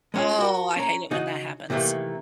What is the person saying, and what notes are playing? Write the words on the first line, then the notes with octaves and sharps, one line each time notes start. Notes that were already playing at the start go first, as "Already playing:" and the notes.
Oh, I hate it when that happens.
G#3 C#4 F4
F#4 A#4
C#4 A#5
C#3 D#4 F#4
C3 D#3 E3 A3 A#3